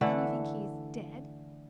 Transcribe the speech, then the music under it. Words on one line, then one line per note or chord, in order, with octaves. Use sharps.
"Then you think he's--dead?"
D3 E3 A3 F#5